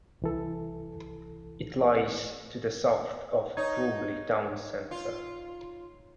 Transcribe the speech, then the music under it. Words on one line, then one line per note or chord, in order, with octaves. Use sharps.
It lies to the south of Bromley town centre.
C2 E3 A4
D#4 C#5
F4